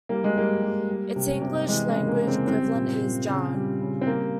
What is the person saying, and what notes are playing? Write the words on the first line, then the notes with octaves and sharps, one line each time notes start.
Its English-language equivalent is "Jaron".
G3 A#3
G#3
G3 A#3
G3
G3
C3
C3
E3 G#3
G#3
C#3
A#3
C#3
C4
G3 C4
A#2
A#2
C#3
G3
C#3
C4
G3 A#3